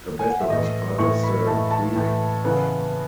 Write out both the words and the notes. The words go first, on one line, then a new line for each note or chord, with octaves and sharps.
The battle was part of the Creek War.
G#5
F#5
E5
A2 E3 A3 D#5
A2 E3 A3 C#6
B5
A2 E3 A3 A5
A5
A2 E3 A3
C#3 E3 B3